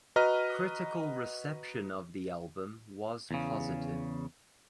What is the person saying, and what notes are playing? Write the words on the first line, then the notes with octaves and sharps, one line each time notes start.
Critical reception of the album was positive.
F#4 B4 D#5 A#5 F6
E2 C#3